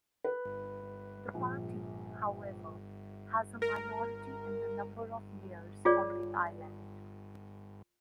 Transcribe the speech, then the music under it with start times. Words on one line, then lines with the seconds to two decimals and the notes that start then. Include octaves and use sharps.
The party, however, has a minority in the number of mayors on the island.
0.24 B4
1.34 A#1
3.62 A#4
5.85 F4 G#4 C#5 D5